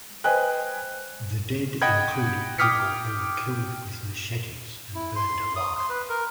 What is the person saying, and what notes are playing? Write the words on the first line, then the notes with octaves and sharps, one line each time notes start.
The dead included people who were killed with machetes and burned alive.
B4 C5 D#5 G5 G#5 F#6
D#5 F#5 G5 B5 G#6
G5 D6 D#6 F6 B6 C#7
E4
C6
D#6
C6
B4
A#4